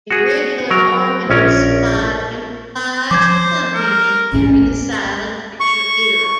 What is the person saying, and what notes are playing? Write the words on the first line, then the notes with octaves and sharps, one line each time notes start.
A regular organist supplied improvised accompaniment during the silent picture era.
F#4 G#4
F#3 A#4
A#1 C#4 A#4
F3 C5 D6 G#6
A#4
A1 D#2 A2 C#4
C#6